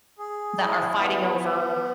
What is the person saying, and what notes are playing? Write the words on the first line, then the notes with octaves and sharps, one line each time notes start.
that are fighting over,
G#4
E4
B3
B3